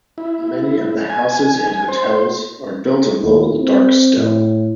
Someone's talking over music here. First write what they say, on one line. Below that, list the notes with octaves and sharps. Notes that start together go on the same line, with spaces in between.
Many of the houses and hotels are built of local dark stone.
E4
G#5
C5
D#2
C4
A2